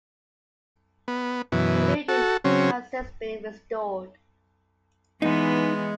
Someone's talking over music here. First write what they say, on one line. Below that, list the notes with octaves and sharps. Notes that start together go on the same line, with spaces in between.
The building has since been restored.
B3
F#2 B2 E3
F#4 A4
C#3 F#3 C4 C#4
E3 G#3 B3 D#4